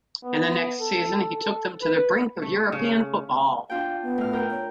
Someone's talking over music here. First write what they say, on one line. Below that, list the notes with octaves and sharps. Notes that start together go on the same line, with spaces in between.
In the next season he took them to the brink of European Football.
B3
A4
A4
B4
A3
C#3
D4 F4 F5 G5
B3
A2 F6
A#4 G5
C#5